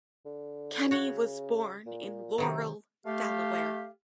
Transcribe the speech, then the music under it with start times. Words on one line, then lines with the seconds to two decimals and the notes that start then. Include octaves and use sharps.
Kenney was born in Laurel, Delaware.
0.26 D3
0.91 C#3 F#4 C#5 F#5
1.86 A#2
2.38 C3 D#3 F#3 A3
3.06 A3 G4 F5